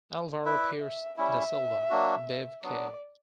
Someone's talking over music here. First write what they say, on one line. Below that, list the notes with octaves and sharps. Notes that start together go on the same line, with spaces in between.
Alvaro Pires da Silva, Bev Kay.
E4 B4 D5 E5
E5
G3 C#4 E4 E5
F#3 A#3 D4 F#4
F#3 B3 D4 D5